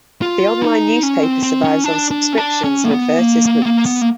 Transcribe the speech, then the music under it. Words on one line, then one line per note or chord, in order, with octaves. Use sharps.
The online newspaper survives on subscriptions and advertisements.
F4
D#4
C#4
C4
C4
C#4
D4
D4
C#4
D4
C#4
A#3
B3
A#3
A#3
B3
A#3
B3
A#3